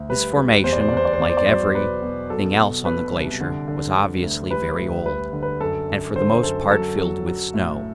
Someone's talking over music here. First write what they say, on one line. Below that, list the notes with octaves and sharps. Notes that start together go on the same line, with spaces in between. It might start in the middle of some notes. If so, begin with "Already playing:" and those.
This formation -- like every -- thing else on the glacier-was obviously very old, and for the most part filled with snow.
Already playing: D2
G3 B4
G3
E2 C5
D5
C5
D5
E2 C5
D5
C5
E2 D5
C5
D5
F#3 C5
B2 B4
B2
F#3 A4
B2
B2 B4
C2
D3
D3
D3
D2
G3 B4
D2
G3 B4
D3
B4
F#2 A4
F#2
D3 C5
F#2 A4
F#3 A4
F#3
F#3
A2